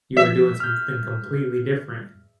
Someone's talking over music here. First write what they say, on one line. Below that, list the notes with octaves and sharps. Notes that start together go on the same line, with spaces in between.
you were doing something completely different,
F3 E5
F6 G6